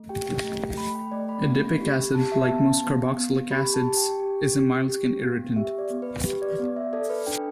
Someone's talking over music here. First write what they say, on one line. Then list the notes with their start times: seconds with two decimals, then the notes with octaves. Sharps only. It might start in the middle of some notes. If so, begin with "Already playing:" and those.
Adipic acid, like most carboxylic acids, is a mild skin irritant.
Already playing: A3
0.09 G4 G5
0.44 A3
0.77 A3 B5
0.95 G5
1.11 A3 D5
1.29 B5
1.46 B3
1.81 G4
2.14 G4 A5
2.32 E5
2.49 B3 A5
2.83 B3
3.17 B3
3.51 G4 B5
3.74 A5
3.85 G4
3.97 G5
4.20 G4
4.54 G4
4.88 G4
5.22 B3
5.56 G4 E5
5.78 D5
5.90 B3
6.02 B4
6.25 G4 B4
6.42 D5
6.58 B3 D5
6.76 E5
6.93 A4 D5
7.10 B4
7.27 D4 G5